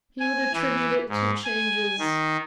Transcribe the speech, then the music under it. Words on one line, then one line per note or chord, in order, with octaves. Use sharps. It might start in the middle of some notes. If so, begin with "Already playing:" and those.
"He would attribute it to changes . . ."
G#5
E3
G#2
G#5
D#3